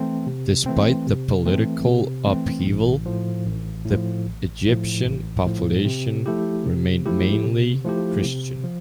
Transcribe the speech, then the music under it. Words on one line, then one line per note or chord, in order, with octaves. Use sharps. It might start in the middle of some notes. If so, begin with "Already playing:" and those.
Despite the political upheaval, the Egyptian population remained mainly Christian.
Already playing: E3 A3 C4
C3
E3 A3 C4
C3
E3 A3 C4
C3
E3 A3 C4
A1
A2 F3
A1
A2 F3
A1
A2 F3
A1
A2 F3
C3
F3 A3 E4 G4
C3
F3 A3 E4 G4
C3
F3 A3 E4 G4
C3
F3